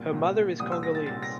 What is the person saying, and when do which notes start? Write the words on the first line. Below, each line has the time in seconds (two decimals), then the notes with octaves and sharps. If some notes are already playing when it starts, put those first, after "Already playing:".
Her mother is Congolese.
Already playing: C2 A#2 G3
0.12 C2 A#2 G3
0.60 C2 A#2 G3 D#6
0.72 E6
0.83 A#6
0.95 A6
1.06 C2 A#2 G3 A6
1.23 A#6